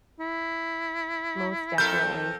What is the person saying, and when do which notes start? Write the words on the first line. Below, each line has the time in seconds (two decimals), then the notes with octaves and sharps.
Most definitely.
0.20 E4
1.78 F2 A4 A#4 G6